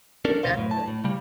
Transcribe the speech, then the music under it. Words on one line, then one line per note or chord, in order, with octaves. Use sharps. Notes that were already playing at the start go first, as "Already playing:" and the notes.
That's really neat.
C#4 D4 A4 A#4 D5
D2 B2 B4 C5 F5
F#2 A2
A5
A2
C#3 G3